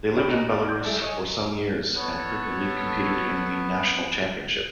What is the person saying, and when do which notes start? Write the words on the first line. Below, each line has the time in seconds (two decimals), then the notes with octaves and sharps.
They lived in Belarus for some years and frequently competed in the national championship.
0.17 D4 C#5 G5 B5
0.30 D#5 A#5
0.49 D5 F5
0.65 D5 G6
0.84 G3 D4 E4 G#4 A4
1.02 C#5 D#5 G#5
1.96 B3 A4 C#5